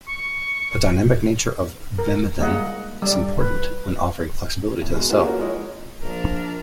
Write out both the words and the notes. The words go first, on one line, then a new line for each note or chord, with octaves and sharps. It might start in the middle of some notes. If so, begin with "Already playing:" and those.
The dynamic nature of vimentin is important when offering flexibility to the cell.
C#6
A#4
G3 G#3 A#3 D#5 E5 F#5
G3 D5
B4
E2
B2 G#3
A#3 B3 E4 F4 G4 G#4
A#3 C#4 F#4 A#4
F3 G#3 E4 C#5 D#5
A#1 F3 D4 A#4